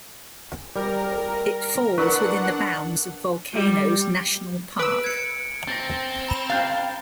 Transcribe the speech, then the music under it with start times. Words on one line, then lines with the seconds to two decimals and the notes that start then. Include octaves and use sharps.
It falls within the bounds of Volcanoes National Park.
0.76 G3 A#4
1.98 D4 E4 A#4 B4 F#5 C#6
3.54 G3
4.79 B4 E6 D7
5.04 G#6 C#7
5.67 C4 A6 A#6
6.28 A#5 B5 E7
6.50 F5 G5 G6 A6